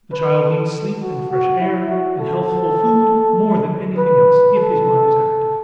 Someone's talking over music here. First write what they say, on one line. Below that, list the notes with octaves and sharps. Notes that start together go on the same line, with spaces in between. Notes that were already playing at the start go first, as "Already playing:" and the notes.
The child needs sleep and fresh air and healthful food more than anything else, if his mind is active.
B4
A4
F#4
F#4
E4
F#4
A4
B4
A4